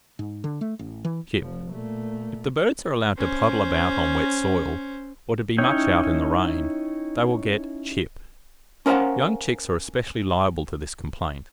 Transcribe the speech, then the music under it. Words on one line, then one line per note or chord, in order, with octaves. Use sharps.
CHIP.--If the birds are allowed to puddle about on wet soil, or to be much out in the rain, they will get "chip." Young chicks are especially liable to this complaint.
G#2
D3
A3
A1
E3
F1 F3
A#2 A3
C#4 C5
C#4 D#4 E4 C#5 G5
C#4 A#4 C5 D#5 F5 F#5